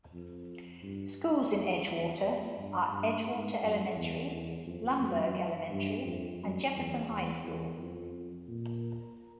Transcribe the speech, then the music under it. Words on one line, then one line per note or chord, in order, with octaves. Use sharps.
Schools in Edgewater are Edgewater Elementary, Lumberg Elementary, and Jefferson High School.
F2
G2
F2
E2
F2
G2
G2
G#2
F#2
E2
E2
F2
F#2
G2
F2
F#2
E2
E2
E2
F2
A#2